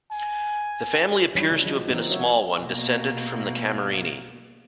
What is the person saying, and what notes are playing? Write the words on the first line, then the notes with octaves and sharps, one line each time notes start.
The family appears to have been a small one, descended from the Camerini.
G#5
E3 F3 G3 D4 B4 C#5
C#3 B3
F3 F#3 D#5
E3 F3 A#3 C4 D#4
F#3 F#4 C#5 E5
B2 A#3